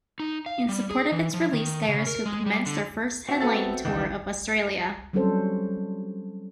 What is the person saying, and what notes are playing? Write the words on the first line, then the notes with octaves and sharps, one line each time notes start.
In support of its release Gyroscope commenced their first headlining tour of Australia.
D#4
F5
G3
G#4
E3
F3
D#3
C#3
A#4
G#3
G3
D3
C4 F#4 E5
B3 A4 A6
C#2 D#3 E3
F#3 G3 C4 C#4 A4 C5